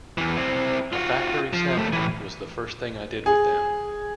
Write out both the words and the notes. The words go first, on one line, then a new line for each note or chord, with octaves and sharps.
"A Factory Sample" was the first thing I did with them.
E2 E3
C4 E4
F4 F#4
F3
D#2 A3
A2 E3
G#4